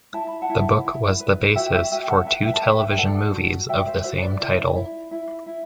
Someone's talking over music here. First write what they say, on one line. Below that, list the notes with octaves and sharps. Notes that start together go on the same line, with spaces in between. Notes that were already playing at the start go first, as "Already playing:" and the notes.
The book was the basis for two television movies of the same title.
E4 A5
B5
F#5 A5
E4
E4
B4
F#4 E5 G5
E5 G5
F#4 E5 G5
F#5 A5
B4 E5 G5
E5 G5
A5
B4 E5 G5
E5 G5
A4 D5 F#5
F#4
F#4 E5 G5
C5 E5
F#4 C5 E5
B4 D5
E4
E4
E4
E4